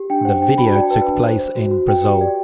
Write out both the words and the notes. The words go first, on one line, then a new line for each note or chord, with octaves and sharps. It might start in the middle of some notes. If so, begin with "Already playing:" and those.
The video took place in Brazil.
Already playing: G4
D4 G5
C5 F#5
D4 G5
F#4 B5
A5
D5 G5
A5
B4
D4
C5
C5
F#4
F#4
B4 G5
G4
D5